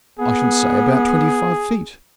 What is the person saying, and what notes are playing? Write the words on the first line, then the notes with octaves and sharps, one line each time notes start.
"I should say about twenty-five feet?"
B3 G#4